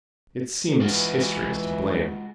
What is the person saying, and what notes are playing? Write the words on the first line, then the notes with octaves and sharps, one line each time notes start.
It seems history is to blame.
E3 G#3 F4 F#4